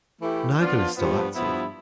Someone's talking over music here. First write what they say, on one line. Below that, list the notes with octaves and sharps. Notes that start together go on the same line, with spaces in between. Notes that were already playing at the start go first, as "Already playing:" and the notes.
Neither is still active.
E3 A3 E4 G4
F3 B3 D4 F4
G2 F3 B3
G2 F3 B3 E4